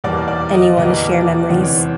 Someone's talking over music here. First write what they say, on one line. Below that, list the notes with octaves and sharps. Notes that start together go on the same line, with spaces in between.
anyone to share memories.
E2 B2 G3 A#3 D5
D5
D#5
E2 B2 G3 A#3 D#5
D5
E2 C3 E3 D5
C#5
C5